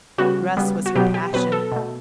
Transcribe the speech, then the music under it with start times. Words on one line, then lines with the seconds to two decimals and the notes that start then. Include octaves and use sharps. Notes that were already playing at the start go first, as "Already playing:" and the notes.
Dress was her passion.
0.18 C#3 G3 B3 F#4
0.57 C#3 G3 B3
0.86 F#4
0.96 B2 F#3 B3 G4
1.14 G4
1.33 B2 F#3 B3 B4
1.52 A4
1.72 B2 A3